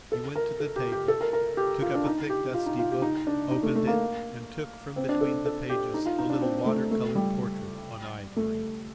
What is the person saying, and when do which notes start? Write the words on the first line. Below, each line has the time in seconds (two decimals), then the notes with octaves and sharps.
He went to the table, took up a thick dusty book, opened it and took from between the pages a little water-colour portrait on ivory.
0.12 A4
0.36 A#4
0.60 A4
0.76 G4
0.92 G4
1.08 A4
1.21 A#4
1.33 A#4
1.57 G4
1.82 F4
1.95 D4
2.05 D#4
2.30 G4
2.54 F4
2.66 D#4
2.79 F4
2.91 G4
3.02 D#4
3.27 D4
3.51 D#4
3.63 A3
3.75 A3
3.87 A#3
4.96 C4
5.09 D4
5.21 A4
5.45 A4
5.69 G4
5.94 D#4
6.06 F4
6.19 D#4
6.30 D4
6.42 C4
6.66 A3
6.91 A3
7.15 G3
8.37 A3